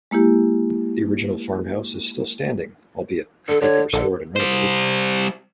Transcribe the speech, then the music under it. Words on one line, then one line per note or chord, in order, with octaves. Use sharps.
The original farmhouse is still standing albeit completely restored and renovated.
G#3 A#3 E4 G4
D3 A4
D3 C#5
A#1 D3 A4
G3 C5